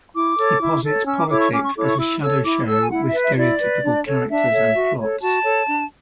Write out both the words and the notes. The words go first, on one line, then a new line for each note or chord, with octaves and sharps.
He posits politics as a shadow show with stereotypical characters and plots.
E4 D6
A4 C#5
E4
A4
C#5
C#4 E6
D6
E4 A4 C#5 D6
C#6
C#4 D6
C#6
E4 A4 C#5 D6
C#6
E4 E6
A4 C#5 E6
E4 D6
A4 C#5 E6
G#5
E4 F#5
E5
B4
E5
E4 D5
B4
D4
A4 C#5
D4 E5
A4 C#5
F#4
A4 C#5
F#4 A5
A4 C#5
D4